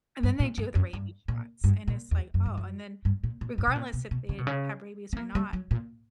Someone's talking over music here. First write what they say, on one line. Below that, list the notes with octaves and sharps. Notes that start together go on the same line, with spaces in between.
And then they do the rabies shots, and it's like, "Oh" and then, regardless if they have rabies or not,
G2
A#2
G2
F#2
G2
A#2
G2
A#2
E2
F#2
G2
F#2
G2
A#2
A#2
G2
B2
A#2
B2
B2
C#3
B2
C#3
B3
A#3
G3
F#3
A#2